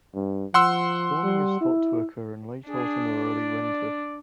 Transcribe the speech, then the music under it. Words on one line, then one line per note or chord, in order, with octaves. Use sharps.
Spawning is thought to occur in late autumn or early winter.
G2
F3 F#5 C6 E6
G3
E4
D4 G#4
D5